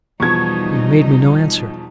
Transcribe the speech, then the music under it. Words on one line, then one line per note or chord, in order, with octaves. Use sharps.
She made me no answer.
E2 B2 F3 G3 D#4 C#6 G#6